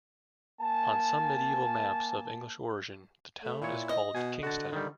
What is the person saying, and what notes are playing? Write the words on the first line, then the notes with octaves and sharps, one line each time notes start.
On some medieval maps of English origin the town is called Kingstown.
A#3 G#5 A5
A3
A#2 E4 C#5
D#5
B2 G#5
D3 F#4 A5
D#3 G3